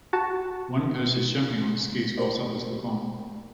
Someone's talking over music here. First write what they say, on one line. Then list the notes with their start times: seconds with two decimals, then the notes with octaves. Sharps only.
One person is jumping on skis while others look on.
0.13 F#4 A5
2.18 F#4 G4 A#4 C5 D5